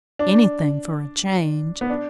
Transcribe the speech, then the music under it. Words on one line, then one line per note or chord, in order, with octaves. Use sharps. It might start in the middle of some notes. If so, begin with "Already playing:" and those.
Anything for a change.
D4
B3
D4